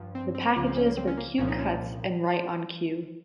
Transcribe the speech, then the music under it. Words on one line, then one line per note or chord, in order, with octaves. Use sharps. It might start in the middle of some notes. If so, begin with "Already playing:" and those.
The packages were Q Cuts and Right On Q.
Already playing: G2 F3
C4
C4
C#2 C#3 F3 F4
C4
C#4
A#3
C4
C#4
A#3
C2 A#2 F3 C#4
D#4
C#4